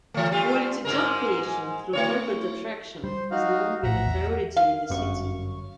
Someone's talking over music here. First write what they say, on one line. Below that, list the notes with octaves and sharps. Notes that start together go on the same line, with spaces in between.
Quality job creation through corporate attraction has long been a priority in the City.
E3 A3
G3 A3 F4
G#2 G#3 A#4
A3 E4 C#5
G3 C5
D#4 F#4 F5
A#1 A2 E5 F#5 A#5
E2
F5
G1 F#2 C#6